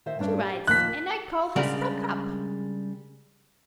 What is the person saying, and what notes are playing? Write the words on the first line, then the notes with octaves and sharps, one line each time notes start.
"She writes; and I call her stuck up."
D#3 C5 E5
G2 C#4 D4
G4
D#3 F3 A#3 F#6 B6
C#3 G3 G#3 D4 A#4